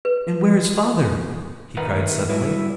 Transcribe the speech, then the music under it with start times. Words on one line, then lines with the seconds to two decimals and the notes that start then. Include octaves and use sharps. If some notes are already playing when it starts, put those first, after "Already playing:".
"And where is Father?" he cried suddenly.
0.05 B4
1.77 D#3 A3 A#4 B4 F#5 A#5
2.29 F#3 G3 E4 B4 E5